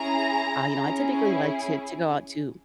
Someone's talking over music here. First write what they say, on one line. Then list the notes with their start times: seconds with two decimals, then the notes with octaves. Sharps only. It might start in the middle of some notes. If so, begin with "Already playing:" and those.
uh, you know, I typically like to to go out to
Already playing: C#4 E4 G#4 A#5
0.79 C#4 E4 G#4